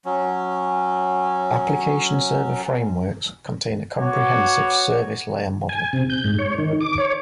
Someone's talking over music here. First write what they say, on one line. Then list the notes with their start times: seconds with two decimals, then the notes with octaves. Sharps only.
Application Server Frameworks contain a comprehensive service layer model.
0.05 F#3 C#4
3.98 B3 F#4 C#5 D6
5.69 G#5
5.93 C3
6.10 G6
6.24 G#2
6.39 C#5
6.58 D#3
6.81 D6
6.98 C#5